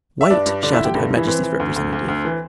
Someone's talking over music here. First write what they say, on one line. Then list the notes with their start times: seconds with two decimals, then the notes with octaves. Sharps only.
"Wait!" shouted Her Majesty's representative.
0.21 E5
0.30 G2 D4 D5
0.46 G2
0.63 D3 D4 D5
0.73 E4 E5
0.79 D3
0.84 G4 G5
0.95 G2 A3 A4
1.11 G2
1.16 E3 E4
1.27 E3 C4
1.43 E3
1.60 D2
1.76 D2
1.92 D2
2.08 D2
2.25 E3